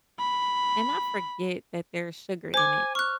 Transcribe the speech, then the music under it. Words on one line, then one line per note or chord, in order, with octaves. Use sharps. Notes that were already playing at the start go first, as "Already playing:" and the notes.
and I forget that there's sugar in it
B5
C5 G#5 D6
C#6 F6 F#6